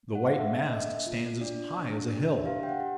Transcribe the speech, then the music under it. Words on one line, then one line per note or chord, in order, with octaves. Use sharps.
"The white mast stands as high as a hill."
F#5
F5
D4 E5
D#5
A4 E5
F4
D4 D5
D4
D4
E5
G4 F5
G5
F#5
G4